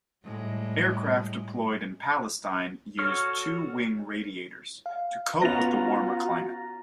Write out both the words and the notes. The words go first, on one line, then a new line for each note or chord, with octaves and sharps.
Aircraft deployed in Palestine used two wing radiators, to cope with the warmer climate.
A2 G3 G#3
F#4 A4 C#5 C#6 F6
F5
B3 C#4 F4 F#4 A#5 A6 A#6 F7